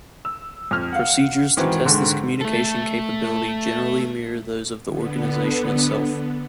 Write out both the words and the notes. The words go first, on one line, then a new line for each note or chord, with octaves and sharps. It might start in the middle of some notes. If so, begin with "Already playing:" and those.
Procedures to test this communication capability generally mirror those of the organization itself.
E6
F2 F6
F5 F#5
G#2 D#3 E3 C4 F#4
G#2 D3 D#3 G#3
A3 A4
D3 B3